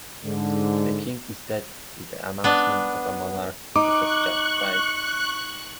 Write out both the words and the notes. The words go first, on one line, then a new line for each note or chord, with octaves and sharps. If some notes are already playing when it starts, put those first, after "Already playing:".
"The King is dead" is the announcement of a monarch who has just died.
G#2 D3
B3 D4
D#4 C#6 D6 F#6